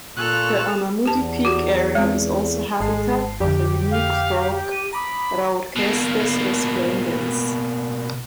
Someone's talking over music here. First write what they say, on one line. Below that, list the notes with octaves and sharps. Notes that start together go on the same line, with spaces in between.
The Anamudi peak area is also habitat of a unique frog "Raorchestes resplendens".
A#2 A4 C6 C#6 E6 F#6 F7
E2 G4 A5
F#4 G4
G#3 C4
G#1 G#3 A5 C7
F2 D3 G4
F5
D#7
A#5 B5 D6 D#6
B2 A#3